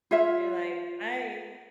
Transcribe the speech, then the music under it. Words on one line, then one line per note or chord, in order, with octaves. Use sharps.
You're like, "I
F4 C#5 E5